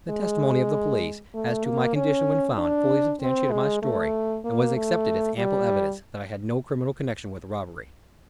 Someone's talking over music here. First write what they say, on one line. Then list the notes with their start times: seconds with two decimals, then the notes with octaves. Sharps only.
The testimony of the police as to my condition when found fully substantiated my story and was accepted as ample evidence that I had no criminal connection with the robbery.
0.10 G#3
1.35 A3
1.65 A#3
1.96 C#4
2.58 D4
3.21 C4
3.51 G#3
3.83 A3
4.44 A#3
4.75 A3
5.38 G3